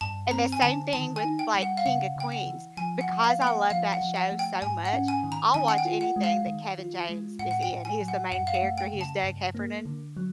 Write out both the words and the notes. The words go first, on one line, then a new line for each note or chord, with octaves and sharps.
and the same thing with, like, King of Queens. Because I love that show so much I'll watch anything that Kevin James is in. He is the main character. He is Doug Heffernan.
G2 A5
C4 A#5
G#5
D3 A5
D#3 A5
G#5
D#4
G5
G3
F#5
F5
C#3 F#5
C#3 G5
F#5
E3
F3 G#5
F#5
F3
F5
A#3 G5
F#5
F3 F5
F#5
F3
F#5
A3
G5
G#2 G#5
F#5
C#4
G#5
D#3
A#5
D#3 G#5
F#5
G5
F4
F#5
G#3
F5
D#3
F4
G#3
A2 F#5
F#5
G5
A2
G#5
F#3
F#5
F#2 F#5
F5
F#5
A3
G5
C#3
A5
G2
A#3
D3
F#3